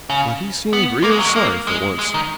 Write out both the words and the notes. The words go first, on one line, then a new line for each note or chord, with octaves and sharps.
But he seemed real sorry for once.
C#3
B3
A#3
G#3
F#3
G#3
A#3
G#3
G#3
D#3